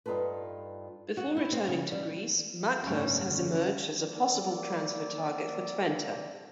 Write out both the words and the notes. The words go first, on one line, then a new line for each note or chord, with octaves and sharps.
Before returning to Greece Machlas has emerged as a possible transfer target for Twente.
G2 D#4 F4 A4 B4
F#4
E4
C4
C#3
G3
F#1 G#2 G3 A3 C#4
D3 C#4
A#3 C4 A4 A#4 D5